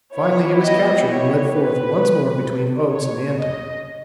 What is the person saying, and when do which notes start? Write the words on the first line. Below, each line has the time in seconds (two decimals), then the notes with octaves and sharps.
Finally he was captured and led forth once more between Oates and Anton.
0.14 B3 E4 G4 C#5
0.61 D#5
1.08 C#5
1.53 B4
2.91 C#5
3.38 D#5